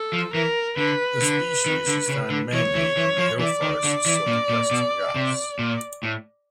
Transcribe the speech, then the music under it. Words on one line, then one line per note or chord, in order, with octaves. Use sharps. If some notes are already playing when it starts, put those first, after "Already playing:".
The species is found mainly in the hill forests of the southern Western Ghats.
Already playing: A4
F3
E3 A#4
D3 B4
D3
D#3
D3
C#3
D3
E3 C#5
E3
E3
F3
E3 D5
D#3
D3
E3
A#2
A#2
B2
C3
A#2
A2